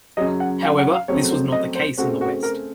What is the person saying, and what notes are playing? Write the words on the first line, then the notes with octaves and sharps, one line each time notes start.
However, this was not the case In the West.
F#2 C#3 F#3 D#5
F#5
F5
F#5
F5
F2 C#3 F#3 A3 C4 C#5
C5
D#5
C5
C#3 A3 C4 F#4
F#4
A#4